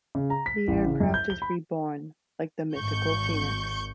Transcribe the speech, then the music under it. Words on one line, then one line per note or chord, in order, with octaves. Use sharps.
The aircraft is reborn, like the mythical Phoenix.
C#3
A#5
B6
A1
C#3
F#2
G6
G7
B5
G#1 C#6 G6